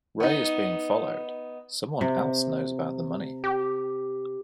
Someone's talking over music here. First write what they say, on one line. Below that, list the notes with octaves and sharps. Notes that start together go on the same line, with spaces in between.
Ray is being followed; someone else knows about the money.
B3 D#4
C3
G4